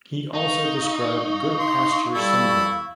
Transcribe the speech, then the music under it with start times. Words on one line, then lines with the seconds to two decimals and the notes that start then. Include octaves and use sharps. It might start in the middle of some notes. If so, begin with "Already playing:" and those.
He also described Goodpasture syndrome.
0.34 D#4 F5 C#6
1.59 C6
2.14 G3 E4 A4